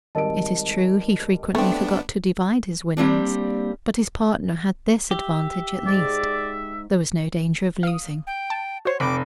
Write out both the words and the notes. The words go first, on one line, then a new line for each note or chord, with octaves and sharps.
It is true he frequently forgot to divide his winnings, but his partner had this advantage, at least: there was no danger of losing.
G#1 G3 A#4 D#5 A5 D7
A3 B3 C4 D4
G3 A#3 C4 D4
G4 E5
G#2 D5
F5 D#6
G5
A5
F#4 C5 C#5
F1 G5 B5 D6